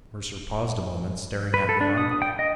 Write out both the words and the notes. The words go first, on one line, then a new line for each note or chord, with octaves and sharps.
Mercer paused a moment, staring at me oddly.
B4
A4
D4
D#6
G5
D#5